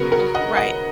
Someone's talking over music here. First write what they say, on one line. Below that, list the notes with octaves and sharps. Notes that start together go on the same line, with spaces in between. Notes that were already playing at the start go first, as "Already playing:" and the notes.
M Right.
Already playing: C#3 F#3 B3 F#4 A#4
F#4 A#4
D#5 F#5
D#5 F#5